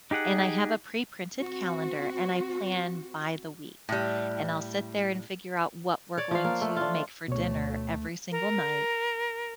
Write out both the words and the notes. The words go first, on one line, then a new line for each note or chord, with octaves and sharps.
and I have a preprinted calendar, and I plan by the week. And I'll sit there and figure out what we're going to make for dinner every single night.
D#4 G4 G#4 F#5
C4 F#4
A2 G3
C#5 D5
F3 F5
A#3
A3
D4 F4
D2 B2 A3 C#5
A#4